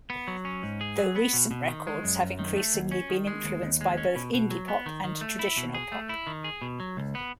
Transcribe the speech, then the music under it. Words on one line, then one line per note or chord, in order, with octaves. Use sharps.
Though recent records have increasingly been influenced by both indie pop and traditional pop.
B3
F#3
C#4
G#2
G#4
F#3
B3
B2
B2
D#3
G#3
F#2
F#2
D#3
A3
D#2
C#4
D#3
G#3
D#2
D#2
G#3
C#4
B2
B2
F#3
B3
D#3
D#3
A3
E4
B2
G#4
A3
E4
D#3
G#4
B2
F#3
C#2
B3